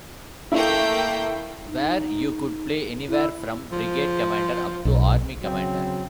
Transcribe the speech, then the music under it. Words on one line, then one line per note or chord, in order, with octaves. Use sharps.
Where you could play anywhere from brigade commander up to army commander.
A3 A#3 E4 G5
D#4
E4
F3
B1
C#3 F#3 C4